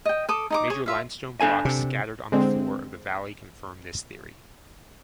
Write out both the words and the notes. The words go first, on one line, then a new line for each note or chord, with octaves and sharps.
Major limestone blocks scattered on the floor of the valley confirm this theory.
D#5 G5
A4 D6 D#6
D#4 D#5 D6
G#4 C#5
F4 E5 F5
D4 A4 G#5
C3
D3 G#3 C4